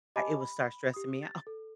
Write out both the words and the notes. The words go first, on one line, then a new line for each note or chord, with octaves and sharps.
I it will start stressing me out.
G4 D#5 G#5 A5 B5 D6
B5
G4 D#6
A6
A4